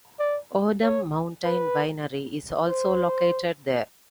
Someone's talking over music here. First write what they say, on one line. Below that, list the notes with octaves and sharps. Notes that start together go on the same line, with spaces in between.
Odem Mountain Winery is also located there.
D5
C#5
B4
C5